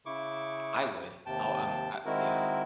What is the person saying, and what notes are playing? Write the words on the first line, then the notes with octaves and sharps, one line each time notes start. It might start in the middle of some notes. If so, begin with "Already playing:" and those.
I would. I'll, um, I yeah.
C#3 E4 C#6 D6
D#2 C3 G5 A5
D#3 G#3 C4 E4 F#4 A#4